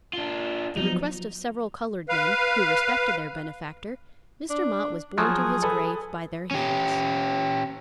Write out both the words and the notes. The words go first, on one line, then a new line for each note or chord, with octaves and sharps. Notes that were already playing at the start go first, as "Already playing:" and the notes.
At the request of several colored men, who respected their benefactor, Mr. Mott was borne to his grave by their hands.
D4 F4
F3 F#3 B3 D#4
B4 F5
D4
F3 F#3 G#4
A4 B4
C#4 G4